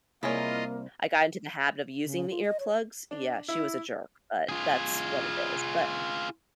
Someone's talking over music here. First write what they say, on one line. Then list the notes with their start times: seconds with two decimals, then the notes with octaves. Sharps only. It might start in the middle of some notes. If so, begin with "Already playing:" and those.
I got into the habit of using the earplugs. Yeah. She was a jerk, but that's what it is. But
0.23 C2 A#3 E4 F4 G#4 C#5 D#5
2.05 C#3
2.30 F4
2.44 D#5
2.60 C#5
3.11 D4
3.48 E4
4.49 F4 G#4